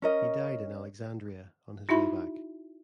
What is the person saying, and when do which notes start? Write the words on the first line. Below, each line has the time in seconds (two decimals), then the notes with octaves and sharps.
He died in Alexandria on his way back.
0.02 C#4 A#4 D#5
1.89 D#4 E4 F#4 E5 B5